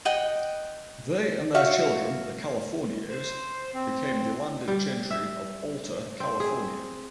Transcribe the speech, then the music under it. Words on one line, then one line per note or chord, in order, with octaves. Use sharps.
They and their children, the Californios, became the landed gentry of Alta California.
D#5 F#5 G5
F#4 E5 F5 C#6
C5
C4
G3
E5
C4
G#4